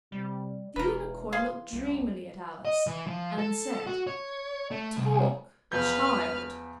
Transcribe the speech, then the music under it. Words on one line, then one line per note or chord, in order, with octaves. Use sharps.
The Unicorn looked dreamily at Alice, and said 'Talk, child.'
C3 G3
E1 E3 A#4 B4
G#4 F5 C6
C2 F2
D#5
E3
F3
A4
F#4
C#5
A3
C2
E2 F3 B4 F6 G6